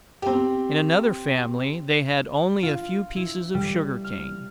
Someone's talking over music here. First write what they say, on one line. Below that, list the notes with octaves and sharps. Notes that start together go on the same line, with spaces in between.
In another family they had only a few pieces of sugarcane.
C4 G4
F4
E4
G3
F6